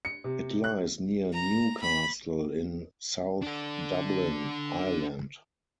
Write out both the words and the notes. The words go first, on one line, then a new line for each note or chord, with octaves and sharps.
It lies near Newcastle, in South Dublin, Ireland.
C#7
C3
F#6
A#5
B5
D4 A4